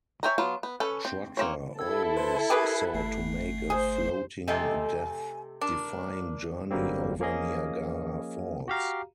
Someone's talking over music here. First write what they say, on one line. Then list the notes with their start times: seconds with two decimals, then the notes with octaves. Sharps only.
Trotter always sought to make a floating death-defying journey over Niagara Falls.
0.23 C#5 E5 G5 G#5 A#5
0.38 F#3 B3 F4
0.63 B3
0.80 C#4 A4 B4
1.05 C4
1.37 A#3 C4 C#5
1.79 E4 A4 E6 G#6
2.16 B4 C5 C6
2.50 G4 G#4 A#4 B4 G#6 C7
2.93 G1 A3 C7
3.70 G#4 C5
4.48 C3 A3 C4 G4 A4 D#5 G#5
5.61 D4 A#4
6.71 G1 D3 F#3 G3 A#3 C4
7.20 F3 A#3 C#4 G#4 D#5
8.68 F#4 G4 F5 A#5